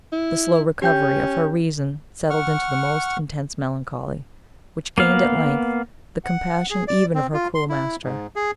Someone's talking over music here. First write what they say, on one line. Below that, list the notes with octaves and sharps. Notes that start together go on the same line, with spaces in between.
The slow recovery of her reason settled into the most intense melancholy, which gained at length the compassion even of her cruel master.
E4
C#4 G4 G5 G6
F#5 C#6 F6
A#3 B3 F5
F#5
G#4
D5
C4
F4
C6
E4
G#2
G#4